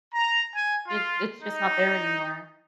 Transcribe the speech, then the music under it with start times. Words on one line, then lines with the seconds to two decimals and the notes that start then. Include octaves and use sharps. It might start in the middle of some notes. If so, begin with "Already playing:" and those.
It it's just not there anymore.
0.13 A#5
0.54 G#5
0.86 F4
1.41 D#4